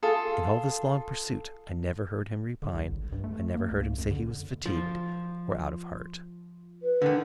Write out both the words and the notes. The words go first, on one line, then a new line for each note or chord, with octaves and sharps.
In all this long pursuit, I never heard him repine; I never heard him say he was fatigued, or out of heart.
F4 G#4 A4
D3
C2
G#1
G2
A3
A#3
C#2
F#2
D3
F3
B4
D3 D#3